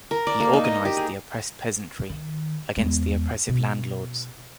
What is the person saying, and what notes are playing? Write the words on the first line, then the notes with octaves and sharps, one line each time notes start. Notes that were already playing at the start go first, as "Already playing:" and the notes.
He organised the oppressed peasantry against the oppressive landlords.
A#4
D5
A#3
D#4
D#5
G4
G#4
D#3
E2 G#3
B2